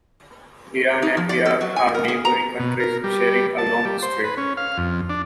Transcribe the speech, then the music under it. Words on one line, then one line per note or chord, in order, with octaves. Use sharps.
Iran and Iraq are neighboring countries, sharing a long history.
D#4
F3
D5
A4
F#3
G#5
A#4
G#4
A#5
B2
A#4
G3
A5
G3
C5
B4
C#4
F5
F2
D4